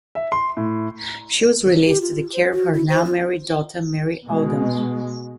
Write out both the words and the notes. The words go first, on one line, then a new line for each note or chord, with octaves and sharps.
She was released to the care of her now married daughter Mary Aldham.
E5
C6
A2
G4
F4
C5
F#4
E4
C5
F4
B2 G#3